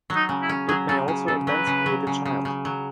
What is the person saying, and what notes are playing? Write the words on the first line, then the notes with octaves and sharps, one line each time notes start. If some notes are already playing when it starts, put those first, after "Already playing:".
It may also emancipate a child.
F#3
D#4
C#3
E4
C#4
F#3 G#4
C#3 A4
C#3
C#3 A4
F#3 B4
C#3
F#3
C#3
C#3
C#3
F#3